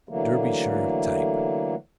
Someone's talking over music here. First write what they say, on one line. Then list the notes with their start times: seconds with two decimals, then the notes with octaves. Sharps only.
Derbyshire type.
0.09 D3 E3 F#3 A3 A#3